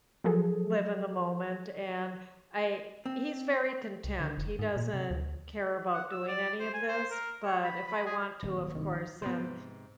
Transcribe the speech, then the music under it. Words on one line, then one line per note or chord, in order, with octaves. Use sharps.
live in the moment. And I he's very content. He doesn't care about doing any of this. But if I want to, of course, then
F3 F#3 G#4 A4
C4
C2
D3
F1
G#2
A#2
C3
D2
F#5
E6
D5
C5
G#5
C5
A#4
C#5
B5
B5
G#4
D#1 G#1 F#3
C2 D#3
G#2 C3 B3 B4 C5